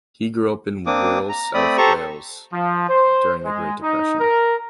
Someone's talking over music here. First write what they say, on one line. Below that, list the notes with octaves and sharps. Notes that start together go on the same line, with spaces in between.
He grew up in rural New South Wales during the Great Depression.
A#3 C4 D4 D6 D#6
A#5
A3 C4 D5 B5 D#6
G4 A4 C5 A5 A#5 C#6
F3
C5
G#3
D#4
A#4